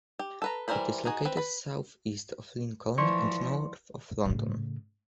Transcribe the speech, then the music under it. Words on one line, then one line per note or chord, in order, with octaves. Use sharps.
It is located south east of Lincoln and north of London.
G4
A4 B4 A#5
E3 G3 A#4 C5 B5
D#4 F#4 G#4
C4 B4
B4 B5
E3 F3 D5 C6 C#6
A2 C#3